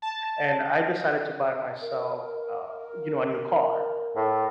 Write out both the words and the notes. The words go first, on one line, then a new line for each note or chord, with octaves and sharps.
and I decided to buy myself, uh, you know, a new car,
A5
A#4
A2